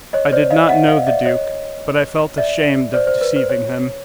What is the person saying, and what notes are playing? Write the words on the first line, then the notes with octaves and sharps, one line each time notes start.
I did not know the duke, but I felt ashamed of deceiving him.
C#5 D#5
C5 D5
D#5 F5
E5 F#5
D#5 F5
D5 E5
C#5 D#5
D5 E5
C5 D5
C5
B4
C5
C#5